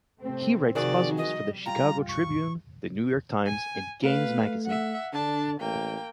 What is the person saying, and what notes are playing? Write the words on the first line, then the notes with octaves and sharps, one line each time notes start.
He writes puzzles for the "Chicago Tribune", the "New York Times", and "Games" magazine.
C3 A3 C4
C3 D#3 F3 F#4 G#4 D5
G3 D#5
F4 G5 A#5
C#6
G#5
A3 B4 F5
E5 F#5
D3 D4 A5
A1 A#3 G5